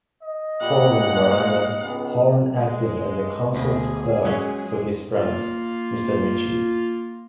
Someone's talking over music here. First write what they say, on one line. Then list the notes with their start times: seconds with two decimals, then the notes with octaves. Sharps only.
Following Waranga, Horne acted as a "counsel's clerk to his friend, Mr Mitchie".
0.22 D#5
0.61 A#2 G3 F#5
1.83 C#2 B3 G#4 A#5
2.54 G#3
3.55 D2 B2 G#4
4.25 F#3 G#3 C#4
5.15 A#3 F4